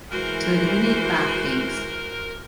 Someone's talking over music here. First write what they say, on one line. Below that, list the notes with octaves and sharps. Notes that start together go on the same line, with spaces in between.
To eliminate bad things.
E3 G#3 F#4 A#4 C5